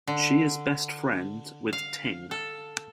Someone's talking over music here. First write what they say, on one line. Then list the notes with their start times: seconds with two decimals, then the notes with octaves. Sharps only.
She is best friend with Ting.
0.08 D3
1.73 F5
2.31 A4